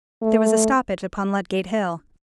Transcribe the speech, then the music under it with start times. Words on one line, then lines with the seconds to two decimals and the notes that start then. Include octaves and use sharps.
There was a stoppage upon Ludgate Hill.
0.22 A3